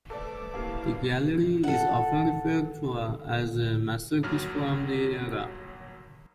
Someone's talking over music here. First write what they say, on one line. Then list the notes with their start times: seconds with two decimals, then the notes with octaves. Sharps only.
"The Gallery" is often referred to as a masterpiece from the era.
0.10 A3 A4 B4 C5 D5 A5 D6
0.54 A2 G3 A#3 E4 F5
1.64 A4 F#5
4.23 G1 D#2 F#3 F6